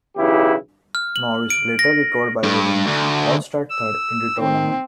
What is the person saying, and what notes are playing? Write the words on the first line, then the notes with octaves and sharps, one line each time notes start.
Morris later recovered by winning all-star third in the tournament.
B1 E2 C#3 E4 G4
F6
F#7
D7
A#6
G2
D2
E6
D#3 C4